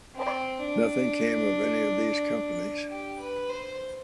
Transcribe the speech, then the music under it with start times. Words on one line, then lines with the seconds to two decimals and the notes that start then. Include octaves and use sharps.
Nothing came of any of these companies.
0.15 C4
0.60 D4
2.89 G4
3.19 B4
3.49 C5